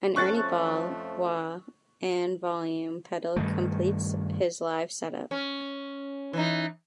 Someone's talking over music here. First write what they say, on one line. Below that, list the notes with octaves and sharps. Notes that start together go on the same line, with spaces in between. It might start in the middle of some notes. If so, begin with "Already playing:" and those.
An Ernie Ball wah and volume pedal completes his live setup.
F2 F3 A3 C#4 A4 C#6 F#6 A6
G2 D#3 A3
C#4
E3 D#4